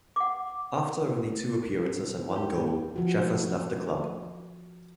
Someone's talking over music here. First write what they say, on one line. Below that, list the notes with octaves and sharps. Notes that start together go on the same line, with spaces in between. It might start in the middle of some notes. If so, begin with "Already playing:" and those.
After only two appearances and one goal, Jeffers left the club.
F#5 D6
G4
F3 F#4